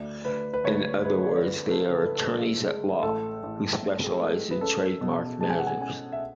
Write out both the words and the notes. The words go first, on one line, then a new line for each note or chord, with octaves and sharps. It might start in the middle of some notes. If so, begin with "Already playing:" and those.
In other words, they are attorneys at law who specialize in trade mark matters.
Already playing: D2 D5
D2 B4
B4
D2 C#5
G#3 B4
D5
C#5
D3 B4
A4
F#1
A4
B4
A4
G#3
G#3
A1 A4
A1
A2
G#4
A4
G#3
B4
C#4 A4
B2
G#3 A5
G#5
F#5
G#5
C#4 G#5
E5